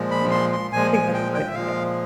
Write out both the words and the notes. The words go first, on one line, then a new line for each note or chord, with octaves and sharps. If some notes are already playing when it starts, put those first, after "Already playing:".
Yeah, I think that's a great idea.
Already playing: A#2 F3 G#3
B5
C6
C6
A#2 F3 G#3 G#5
G#5
G5
G5
E5
A#2 F3 G#3 F5